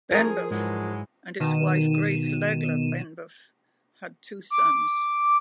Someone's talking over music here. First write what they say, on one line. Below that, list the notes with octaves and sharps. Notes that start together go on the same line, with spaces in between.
Benbough and his wife Grace Legler Benbough had two sons.
F3 G#4 A#4
G#2 E3 F#3 G#3
B2 D#3 D#7 E7
D6